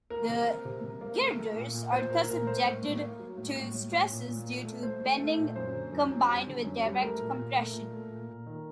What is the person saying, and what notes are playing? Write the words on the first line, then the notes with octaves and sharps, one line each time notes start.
The girders are thus subjected to stresses due to bending combined with direct compression.
A#3 A#4
C3 A#4
A#3
C3
C3
A#3
A3
A3
A#2
A#2
A#2 C5
A#2 A#4
A#2 A#4
A3 C5
A2
A2
A#3
F#3
A2
A2
A2
A2
A#2
A#2
A#2
A3
A3 C5
A3
A3
A#2
F#2 C5
D3
F#2
F#2
G3
D3
F#2
G3
A3 A#4
A#2
A#2
A3
A#2
A3
A#2
A#2
D#3